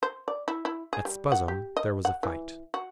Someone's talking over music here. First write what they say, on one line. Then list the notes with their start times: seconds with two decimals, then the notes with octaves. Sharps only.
At Spuzzum there was a fight.
0.03 C5
0.28 D5
0.48 E4
0.65 E4
0.93 G#4
1.05 G3
1.32 F#5
1.48 G4
1.77 D#5
2.05 F#5
2.23 E3
2.74 F#4